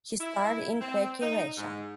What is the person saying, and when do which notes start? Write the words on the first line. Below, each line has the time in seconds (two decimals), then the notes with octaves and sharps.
He starred in "Kueki Ressha".
0.21 E4
0.81 C4
1.22 D#4
1.57 G#2